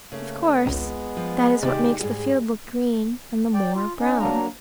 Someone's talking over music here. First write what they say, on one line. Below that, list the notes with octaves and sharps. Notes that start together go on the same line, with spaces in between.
Of course: that is what makes the field look green and the moor brown.
C#3 A3 A#3
G#1 C#2 G#3 B3
F3
C3 D#3 G4 D5
D2 G#2 G3 G#4
D5 G5
F4
C#4 D#4
F#3 A#3 D4 A#5